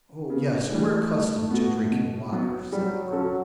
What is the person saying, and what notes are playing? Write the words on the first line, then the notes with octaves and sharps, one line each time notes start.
"Oh, yes; we're accustomed to drinking water," said the girl.
C#3 B3
E3 G3 A3 D4
G3
B3 F#4
B2
F#3 B3
F#3 G3
C#4 F#4 A4